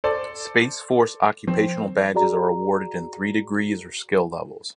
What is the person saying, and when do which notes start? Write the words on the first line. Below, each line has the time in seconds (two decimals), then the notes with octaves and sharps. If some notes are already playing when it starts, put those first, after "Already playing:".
Space Force occupational badges are awarded in three degrees or skill levels.
0.04 A4 C5 D5
1.47 F3 C4
2.15 F#4 G#4 D5 A#5